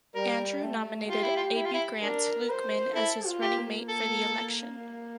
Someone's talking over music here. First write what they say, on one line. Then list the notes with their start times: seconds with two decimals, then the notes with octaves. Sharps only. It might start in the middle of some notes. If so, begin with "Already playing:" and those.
Andrew nominated Abu Grant Lukeman as his running mate for the election.
0.15 G3 A#4
0.62 A3
1.08 F4 G4
1.23 E4
1.36 F4
1.55 E4
1.65 F4
1.74 E4
2.02 D4 A#4
2.49 C5
2.95 E4 A4
3.26 F4
3.42 G4
3.57 A#3
3.89 A4